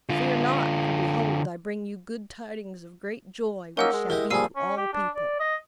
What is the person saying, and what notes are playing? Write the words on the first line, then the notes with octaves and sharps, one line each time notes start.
"Fear not: for behold, I bring you good tidings of great joy, which shall be to all people."
D3 F4
A#3 C#4 D#4 A#4 F#5 E6
G#3
E4 G4 A#4 D#5
G2 F3 G3 A#3 G#4 E6 C7 D#7
C#4
G4
D4
D5
D#5